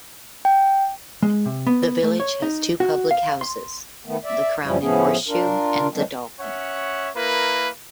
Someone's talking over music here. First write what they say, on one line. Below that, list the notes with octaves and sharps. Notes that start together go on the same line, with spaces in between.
The village has two public houses: "The Crown and Horseshoe", and "The Dolphin".
G5
G#3
C3
B3
A3
C#5
D#4
F#4
F5
C6
D#3 A3 B3
D5 E5
F#2 A#2 F3 G3 C#4 E4
A2 F3 A3 B3 C#4 G#4
D4 F4 A#4
D#3 E3 F#3 G#3 C4 D4
C#4 C#5 E5 F#5
A#3 E4 A#4 B4